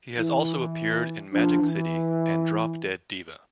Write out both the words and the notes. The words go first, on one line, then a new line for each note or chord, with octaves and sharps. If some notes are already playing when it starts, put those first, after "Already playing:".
He has also appeared in "Magic City" and "Drop Dead Diva".
E3 E4
F3 D4
E3